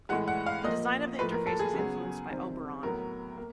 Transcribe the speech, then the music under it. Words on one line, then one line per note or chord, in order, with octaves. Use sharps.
The design of the interface was influenced by Oberon.
A2 E3 G#3 F#5
F#5
F5
A#2 F3 A#3 D#5
A2 F3 A#3 B4
A#4
A4
G#4
C#3 F#3 B3
C3 D#3 G3 C4
A2 F#3 B3 A#4
A#3